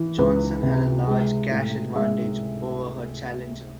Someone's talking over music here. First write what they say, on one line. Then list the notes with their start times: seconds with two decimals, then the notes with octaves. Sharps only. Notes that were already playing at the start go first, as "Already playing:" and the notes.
Johnson had a large cash advantage over her challenger.
Already playing: E3
0.18 C#2 B4
0.63 C3
1.07 G#3
1.51 A2
1.95 G#3 E5